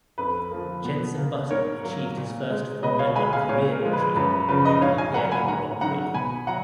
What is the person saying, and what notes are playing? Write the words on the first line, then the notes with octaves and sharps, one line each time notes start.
Jenson Button achieved his first Formula One career victory in the Hungarian Grand Prix.
F2 B4
F3 A#3
B2
A#3
G#2 A#4 C#5
F#3 A#3
A#2
G#3
B2 B4 D#5
C#5 F5
G#3 G#5 B5
F5 G#5
A#2 C#5 F5
A#4
F3 G#3
B4
F#2 B4
B4
C#3 F3 B4
B4 D#5
G#2 C#5 F5
F5 G#5
F#3 A#3 F#5 A#5
G#5 B5
G#2 F#5 A#5
D#3 F#3 F#5 A#5
B2 G#5 B5
F#3 F#5 A#5